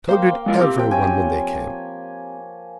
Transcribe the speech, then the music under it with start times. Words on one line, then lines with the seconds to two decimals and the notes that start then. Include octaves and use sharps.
So did every one when they came.
0.09 A#3 C5 F5 G5
0.46 G#3 F4 A#4
0.61 C4 G4
0.78 F3 G5
0.91 C#5 G5 G#5